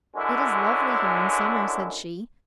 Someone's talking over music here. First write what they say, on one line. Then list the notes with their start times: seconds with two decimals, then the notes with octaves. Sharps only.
"It is lovely here in summer!" said she.
0.15 F#2 D3 G#3 C#4 E4